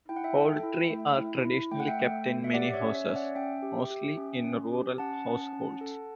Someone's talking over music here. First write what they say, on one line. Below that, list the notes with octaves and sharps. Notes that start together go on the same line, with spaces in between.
Poultry are traditionally kept in many houses, mostly in rural households.
E4 G5
F#5
E5 G5
A4
E4
A3
E4
E4
A3 G5
F#5
E5 G5
A3
A3
E5
G4 D5 F#5
C#5 E5
C#4
C#5 E5
C#4
D5 F#5
C#4 E5 G5
G4
G4
C#4
C#4
G4
C#4 F#5 A5
C#4
C#4
A4